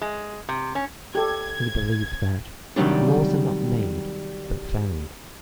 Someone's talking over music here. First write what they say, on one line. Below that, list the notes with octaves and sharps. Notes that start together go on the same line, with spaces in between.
He believed that "laws are not made but found".
G#3
C3
C#4
G4 A4 G#6
C3 D#3 F#3 G3 D4